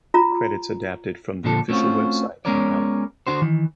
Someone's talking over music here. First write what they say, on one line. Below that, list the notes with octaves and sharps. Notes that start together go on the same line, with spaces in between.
Credits adapted from the official website and Melon.
F4 A#5
A#2 D3 F3 D4 A4
A3 C4 C#4 F4 F#4
G#3 B3 C#4 A#4 C#5 D5
D3 D4 F#4 C5
D#3 E3